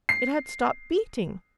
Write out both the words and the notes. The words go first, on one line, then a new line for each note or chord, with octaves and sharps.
It had stopped beating.
C7